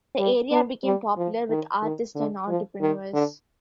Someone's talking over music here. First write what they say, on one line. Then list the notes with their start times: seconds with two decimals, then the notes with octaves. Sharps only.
The area became popular with artists and entrepreneurs.
0.19 G3
0.51 B3
0.84 G3
1.17 F3
1.49 D#3
1.82 D#3
2.15 D3
2.48 F3
2.80 D#3
3.13 D3